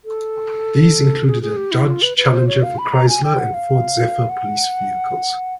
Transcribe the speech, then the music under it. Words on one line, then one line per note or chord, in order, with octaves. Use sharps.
These included a Dodge Challenger for Chrysler and Ford Zephyr police vehicles.
A4
G#4
G#4
G4
E4
F4
B4
B4
C5
C#5
F5
B5
A#5
G#5
G5
F#5
F5
F#5